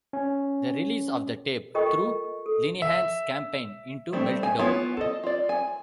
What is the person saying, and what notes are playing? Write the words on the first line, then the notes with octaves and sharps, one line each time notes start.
The release of the tape threw Lenihan's campaign into meltdown.
C#4
F4 A4 A#4 D#5 G5 C#6
A4
E5
G3 A3 C4 D4
G#5
B3 E4 F4 C#5
A4 D#5
F4 D5
G#5